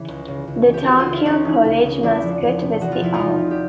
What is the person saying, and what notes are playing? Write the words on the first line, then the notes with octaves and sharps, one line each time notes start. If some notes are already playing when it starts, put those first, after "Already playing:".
The Tarkio College mascot was the owl.
Already playing: C#3 E3
C#2
C#3
C#2
E3
G4
C#2 F#4
F4
C#3
E4
C#2 C#4 D#4
E3
C#2
C#3
E2 D4 E4
F3
E2
C3
E2 F#4
F4
F3 E4
D#4 F4
E2
C3
G4